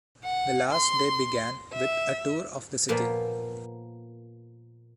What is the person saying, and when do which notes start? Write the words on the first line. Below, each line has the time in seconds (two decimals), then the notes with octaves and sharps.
The last day began with a tour of the city.
0.24 F#5
0.71 C6
1.73 E5
2.89 A#2 F3 A#3 B3